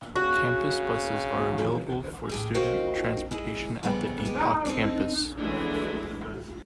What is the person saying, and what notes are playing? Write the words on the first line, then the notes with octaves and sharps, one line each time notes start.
Campus buses are available for student transportation at the Depok campus.
C#3 F#4
A2 G4 G#4
F#4 A#4 C5 D#5 F5 G5
G#3 E4 G#4
F2 C#3 G3 A3 B3
G3 G#3 G4
F2 C4 D#4 A4
E3 F#3 G#3 A3 D4 E4